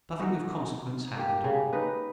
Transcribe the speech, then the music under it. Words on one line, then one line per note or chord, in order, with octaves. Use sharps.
Nothing of consequence hapened.
D#4 F#4
A#3 G4
C#3
D#4 B4